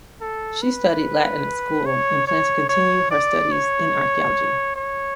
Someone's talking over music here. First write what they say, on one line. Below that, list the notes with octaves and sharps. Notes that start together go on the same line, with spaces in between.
She studied Latin at school and planned to continue her studies in archeology.
A4
B4
C#5
C#5
C#5
D5
C#5
C#5